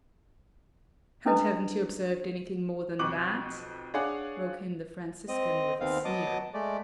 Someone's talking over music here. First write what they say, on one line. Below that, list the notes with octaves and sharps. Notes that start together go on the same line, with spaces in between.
"And haven't you observed anything more than that?" broke in the Franciscan with a sneer.
C#4 D4 E4 A4 B4 D#5
B1 F2 C#6 D6 F#6 F#7
D4 G#4 C#5 D5 F5 F#5
C4 D#5
D#2 B3 C4 F5
F#3 B3 D#5 A5 D6
G#3 A3 D5